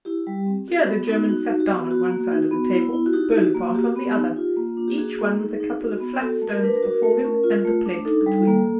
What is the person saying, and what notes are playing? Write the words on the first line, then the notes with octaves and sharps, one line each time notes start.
Here the German sat down on one side of the table, Bonaparte on the other; each one with a couple of flat stones before him, and the plate between them.
E4 G4
G3
C4
F#4
B3
D#4
D#4 F#4
F#4
G4
B3
F#4
A#3
D#4
B3
E4
E4
F#4
D#4 G4
F#4
A#3
F#4 G4
B3
D#4
F4
A#3
D4
G4
F#4 G#4
A#3
D#4
D#4
F#4
B3
F#4 A4
A3
A#4
D4 B4
A#4
F#4
A3
C#4
F4
A3
D4
D#4 A4
G3
A#3